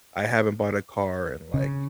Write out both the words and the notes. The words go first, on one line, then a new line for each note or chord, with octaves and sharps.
I haven't bought a car in, like
C#3